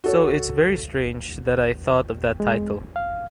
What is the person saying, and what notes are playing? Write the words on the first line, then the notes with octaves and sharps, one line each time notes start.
So it's very strange that I thought of that title.
F#4 A4 C#5
G#3
F5